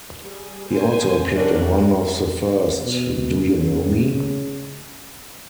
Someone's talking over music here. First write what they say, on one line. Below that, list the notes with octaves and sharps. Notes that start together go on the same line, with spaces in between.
He also appeared in one of the first Do you know me?
G3 G#4
C5 G#5
C#4 D4 F#4 G4 A4 A#4
B2
C#3